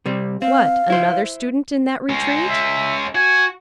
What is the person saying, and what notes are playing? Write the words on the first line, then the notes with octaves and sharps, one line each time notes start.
"What--another student in that retreat?"
C3 G3 C4
C4 F5
E4 C5
G#3 C#4
E5
F#4 G#5